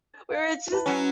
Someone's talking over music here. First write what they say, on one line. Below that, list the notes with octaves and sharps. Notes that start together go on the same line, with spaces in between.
we were just
F5
E4 B4 A5
F#3 C#4